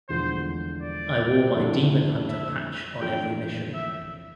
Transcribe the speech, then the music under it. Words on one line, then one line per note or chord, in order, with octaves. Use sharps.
I wore my Demon Hunter patch on every mission.
E1 E2 D3 F3 A3 C5
D5
F2 D3 A3 E4
E5
F2 E3 A3 D4 F4 G5
E5